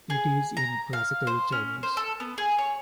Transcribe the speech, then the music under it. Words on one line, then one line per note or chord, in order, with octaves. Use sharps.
It is in classical Chinese.
G#4
A#5
F5
C5
C#4
C5
A4
B3
G#4
C#5